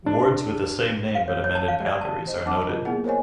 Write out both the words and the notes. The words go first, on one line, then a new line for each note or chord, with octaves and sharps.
Wards with the same name but amended boundaries are noted.
D4
F5
C#5
C#5
A5
F5
D5
A5
C5 D#5
F#3 C4 D4 F#5 A5 D6
D4 F4 A#4 D#5
A#3 B3 E4 G#4 F#5
A#4 C5 C#5 D#5 G#5